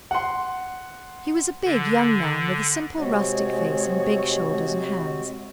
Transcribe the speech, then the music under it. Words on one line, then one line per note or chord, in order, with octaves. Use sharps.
He was a big, young man with a simple rustic face and big shoulders and hands.
F#5 C6
D3
C3 G#3 C4 F#4 C#5 D#5